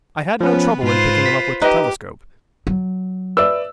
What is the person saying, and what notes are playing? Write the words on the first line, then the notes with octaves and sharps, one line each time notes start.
I had no trouble in picking him up with the telescope.
F3 B3 C#4 B4
G#2 F4 B4 C5
B6
D#4 G4 B4 D#5
F#3
B4 D5 E5 E6